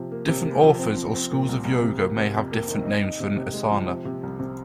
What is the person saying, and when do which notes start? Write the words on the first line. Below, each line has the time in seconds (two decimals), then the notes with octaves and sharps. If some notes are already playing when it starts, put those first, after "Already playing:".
Different authors or schools of yoga may have different names for an asana.
Already playing: C3 F3
0.11 A#3
0.28 C3
0.45 A#3
0.63 F3
0.79 C4
0.96 F3
1.14 C4
1.31 A#2
1.49 C2
1.65 C2
1.82 C3
1.99 A#3
2.17 C3
2.33 F2
2.52 A#3
2.69 D#3
2.85 D#4
3.03 D#4
3.20 C3
3.36 C3
3.53 G#3
3.71 F3
3.88 C3
4.05 C3
4.23 C2
4.40 C3